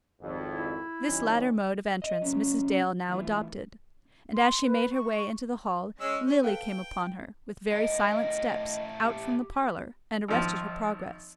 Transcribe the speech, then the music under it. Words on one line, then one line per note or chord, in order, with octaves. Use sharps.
This latter mode of entrance Mrs. Dale now adopted; and as she made her way into the hall Lily came upon her, with very silent steps, out from the parlour, and arrested her progress.
G#1 F2
E4
D#3 F#3 C#4
D#5
B1 C#3 F#3 C#4
E3 A3 F4
C6
B4
C#6
G#3 C#4 E6
C#4
A4 B4 F5 G5
A2 A#4 D#5
G4
G#1 F3